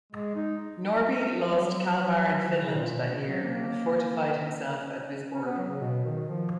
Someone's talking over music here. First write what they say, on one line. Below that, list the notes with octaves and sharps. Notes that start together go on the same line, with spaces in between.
Norby lost Kalmar and Finland that year, and fortified himself at Visborg.
G#3
D#4
G#3
F#3
F3
D#3
C#3
A#2
A#2
B2
C#3
F#3
A#3
C#4
B3
F#3
C#3
B2
D#3
F3